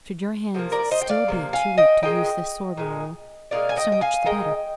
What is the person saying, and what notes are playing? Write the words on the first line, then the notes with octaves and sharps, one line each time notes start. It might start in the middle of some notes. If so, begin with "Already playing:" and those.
Should your hand still be too weak to use this sword, Raoul, so much the better.
C3 F3 A#3
A#4 D5
C5 D#5
G5
D5 F5
C3 F3 A#3
F5 G#5
D#5 G5
A#2 G#3 D#5 G5
A#2 G#3
A#2 G#3 D5 F5
G#5
D#5 G5
G5
F5 G#5
A#2 G#3 D#5 G5